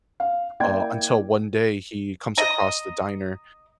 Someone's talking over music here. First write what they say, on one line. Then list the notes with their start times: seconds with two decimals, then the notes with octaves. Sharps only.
uh, until one day he comes across the diner
0.20 F5
0.60 A#3 E4 D5 G5 G#6
2.38 D#5 A#5